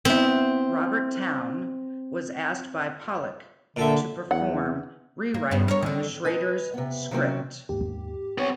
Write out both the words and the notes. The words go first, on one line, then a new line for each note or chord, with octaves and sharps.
Robert Towne was asked by Pollack to perform rewrites on the Schraders' script.
B3 C4 E4
A#2 D3 A4 E5
E2 F#5
A#3
G2 B3
A#4 C#5
D3 D#3
B4 D#5 G#5
C3 B3
C3 D#3 F#3 A#3 C4 C#4
D#2 G#2 G4
B3 C4 C#5